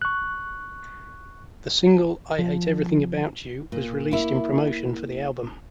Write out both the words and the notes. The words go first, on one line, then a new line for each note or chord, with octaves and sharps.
The single "I Hate Everything About You" was released in promotion for the album.
C#6 F#6
F3
A#2
A#3 E4